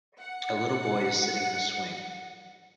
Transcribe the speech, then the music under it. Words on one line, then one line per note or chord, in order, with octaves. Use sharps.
A little boy is sitting in a swing.
F#5 C#7